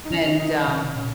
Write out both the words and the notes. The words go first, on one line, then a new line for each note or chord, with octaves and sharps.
and um
D#4
D#3 F#3 C#4
C#4
D#4
C3 D#3
A#2 C#3 C#4